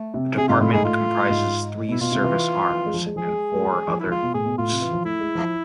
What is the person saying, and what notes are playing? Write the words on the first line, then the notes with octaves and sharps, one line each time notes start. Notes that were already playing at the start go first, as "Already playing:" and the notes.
The Department comprises three service arms and four other groups.
Already playing: A3
C3
C3 G#4
G#2 F4
A2 F4
G#2 G#4
A2 F4
G#2
B2 E4
B2 F4
C3
E3
E3
G#3
F3
G#3
F3 G#4
G#3
A3
G#3
F3
E4
F3
G#3 F4
B2
A2 G#4
B2
A2 F4
C3
E3
F3
A3 E4
G#3
F3